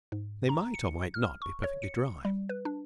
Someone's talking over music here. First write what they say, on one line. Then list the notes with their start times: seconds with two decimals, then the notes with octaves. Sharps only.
They might or might not be perfectly dry.
0.12 G#2
0.49 A#5
0.74 C#7
1.14 F6
1.42 C#6
1.64 C#5
1.82 C#7
2.25 G3
2.49 B4
2.65 D4